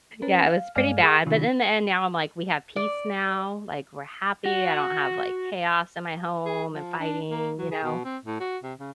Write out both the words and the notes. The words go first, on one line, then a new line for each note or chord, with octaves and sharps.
yeah, it was pretty bad, but in the end, now I'm like, "We have peace now," like, "We're happy, I don't have, like, chaos in my home and fighting," you know?
C#4 A#4 B4
F5
G2 G#3 D5 F5 G#5 F6
G#4 A#4 F#5 D6 D#6 F#6
C3 D#3 D4 F4
D5
F#4
G#4
F3
D4
A#3
F#3
G#4
B2
C4
A2
F#4
C3
C#3